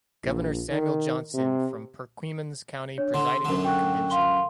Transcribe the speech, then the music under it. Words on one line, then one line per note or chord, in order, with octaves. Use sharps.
Governor Samuel Johnston from Perquimans County presiding over the convention.
A#1
D#3
C3
D4 C#5
D3 C6
F#2 D3
G5 C#6 F#6
F5 C6 G7